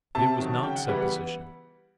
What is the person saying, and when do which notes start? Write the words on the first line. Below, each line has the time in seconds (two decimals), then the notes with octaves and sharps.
But it was not supposition.
0.15 C3 A5
0.38 D#3 F#3
0.63 C#3 G5
0.76 F#5
0.88 E3 G3 B3 F#5
1.01 F#5